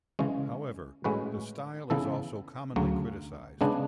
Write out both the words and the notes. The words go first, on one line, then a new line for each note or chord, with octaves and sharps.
However, the style is also commonly criticized.
C#3 E3 G#3 C#4
A2 G#3 C#4 F#4 B4
C#3 E3 B3 E4 A4
D2 C#3 F#3
C#3 G#3 B3 D4